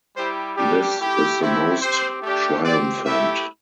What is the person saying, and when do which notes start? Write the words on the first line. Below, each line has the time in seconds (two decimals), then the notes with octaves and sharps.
This is the most triumphant.
0.16 G3 E4 G4 C5
0.56 G3 D4 G4
0.98 A3 E4 G4
1.40 A3 C4 E4 G4
1.81 C4 G4 C5
2.22 A3 D4 G4
2.64 C4 G4 D5
3.05 A3 E4 G4 E5